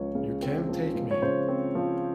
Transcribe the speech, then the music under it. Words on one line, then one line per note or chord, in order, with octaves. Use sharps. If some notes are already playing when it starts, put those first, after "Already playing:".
You can't take me!
Already playing: C#2 F3 C#5
C#3
C4
F3
C#2
C#5
C#3 C5
C4
F3